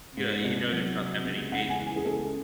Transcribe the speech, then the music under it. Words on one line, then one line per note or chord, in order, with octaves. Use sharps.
Yeah, you know, there's not that many days in a week,
G#2
C2
F#3
C3
C#2
C#2 F#5
G#5
E3
G#5
G#4
C#2 A4